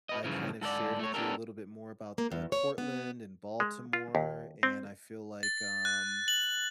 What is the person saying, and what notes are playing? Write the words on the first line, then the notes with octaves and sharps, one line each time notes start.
I kind of shared with you a little bit more about th uh, Portland and Baltimore, and I feel like, um,
B4 D#5
G2 A#2 C#3 E3 F3
G#2 A4 B4 D5
A3 C#5
B3 D4 F4 G4 A4 A#4
A#3
E2
C#5
B3
G#3
F4
D#2
C4
A6
F#6
F#7